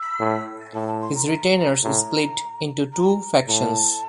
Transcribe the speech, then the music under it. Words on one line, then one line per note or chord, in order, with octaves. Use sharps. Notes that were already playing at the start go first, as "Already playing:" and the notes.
His retainers split into two factions.
Already playing: E6
A2
A2 A5
A5
C6
A#5
A#5
A2 A#5
A#5
A2 A5 A#5